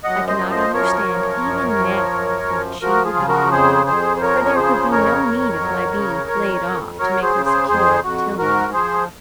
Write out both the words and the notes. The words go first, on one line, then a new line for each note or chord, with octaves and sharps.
I cannot understand even now what she would be at, for there could be no need of my being played off to make her secure of Tilney.
F#2 D#5 F#5
C5 D#5
F3
C5 D#5
F#2 A#4 C#5
F3
F#2
F3
F#2
F3
F3 F#4 A#4
F4 G#4
C#3
F#4 A#4
F2 G#4 C5
F2 G#4 C5
C5
F3 A#4 C#5
C#5
C#3 G#4 C5
F2 A#4 C#5
F2
F#3
C#3
F2
F2
F#3 A#4 C#5
G#4 C5
C#3
G#4 C5
F2 G#4 C5
F2 F#4
G#2 F#4 A#4
F3 G#4 C5